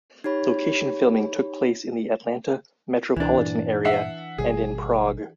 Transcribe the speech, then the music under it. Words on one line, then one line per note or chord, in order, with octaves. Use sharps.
Location filming took place in the Atlanta metropolitan area and in Prague.
D#4 G4 C#5 B5
C#2 B2 E3 D4
G2 A#2
E5 F#5 C7
G#1 B2 G3 G#4